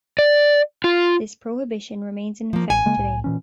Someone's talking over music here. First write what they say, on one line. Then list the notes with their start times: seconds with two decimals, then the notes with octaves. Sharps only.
This prohibition remains in effect today.
0.19 D5
0.84 F4
2.53 F3 A#3
2.70 A1 G#5
2.86 C#3 G#3 A#3
2.97 C2 A2
3.24 A#2 E3 C#4